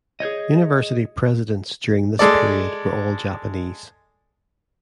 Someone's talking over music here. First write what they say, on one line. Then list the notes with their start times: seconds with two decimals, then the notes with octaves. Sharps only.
University presidents during this period were all Japanese.
0.20 G#4 C5 C#5 D#5
2.19 G#3 A4 D5